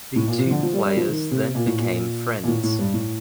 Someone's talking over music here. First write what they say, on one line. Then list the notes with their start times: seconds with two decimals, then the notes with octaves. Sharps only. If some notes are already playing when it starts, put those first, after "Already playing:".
The two players then became friends.
0.16 A2
0.28 A#2
0.39 C3
0.51 D3
0.63 F3
0.73 G3
0.85 G3
0.97 F3
1.09 D#3
1.31 C3
1.55 A#2
1.67 A2
1.79 A#2
2.43 A#2
2.48 A2
2.63 A2
2.79 G2
2.94 A2